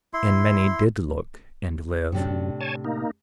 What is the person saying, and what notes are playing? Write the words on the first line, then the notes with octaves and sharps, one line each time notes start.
And many did look and live.
E4 C6
F#2 A2 C3 D4
C#5 G#5 A5
A#3 D#4